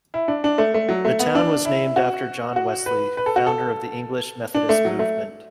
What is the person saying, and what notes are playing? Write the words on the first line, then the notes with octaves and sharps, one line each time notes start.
The town was named after John Wesley, founder of the English Methodist movement.
E4
D4
D4
A3
A3
F#3
A3
B3
D4
E4
F#4
F#4
B4
B4
A4
F#4
A4
D4
A3
F#3
A3